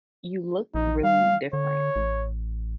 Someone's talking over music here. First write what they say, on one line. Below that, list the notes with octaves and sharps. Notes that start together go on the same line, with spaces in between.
you look really different,
A#1 D#4
G3 F5
D3 C#5
A1